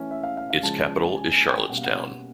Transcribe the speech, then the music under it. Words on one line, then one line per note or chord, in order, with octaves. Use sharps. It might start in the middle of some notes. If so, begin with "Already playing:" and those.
Its capital is Charlottetown.
Already playing: E3 A3 C#4
E5
F5
F5
F5
C#3 F3 G#3 A5
A5
G#5
G#5
G5
B2 G3 A#3 C#4 F#5
F5
F#5